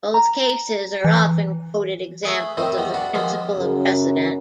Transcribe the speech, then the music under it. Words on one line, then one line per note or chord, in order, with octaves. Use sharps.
Both cases are often quoted examples of the principle of precedent.
A#5
E3
A3 G#4 B4
A2 D#3 C4 D#4
E2 G3 B3
D4 F#4 B4
D#2 F3 G#3 A#3 B3
F#2 C#3